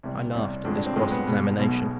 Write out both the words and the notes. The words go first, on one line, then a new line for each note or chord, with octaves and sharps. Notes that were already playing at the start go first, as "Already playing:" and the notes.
I laughed at this cross-examination.
C2 C3 G3
C2 C3 G3
G2 D3 F3 G#3 C4
D4
C4
G2 D3 F3 G#3
B3
B1 B2 G#3
B1 B2 G#3